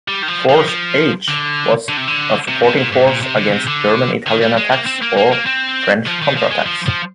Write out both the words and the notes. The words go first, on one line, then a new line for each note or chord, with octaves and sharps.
Force "H" was a supporting force against German-Italian attacks or French counterattacks.
G3
D#3
F3
F3
F3
D3
D3
C3
D3
C3
C3
A#2
G#2
A#2
C3
D3
C3
D3
D#3
G3
G#3
A#3
C4
A#3
A#3
A#3
C4
F3
D#3
F3
G#3
F3
F3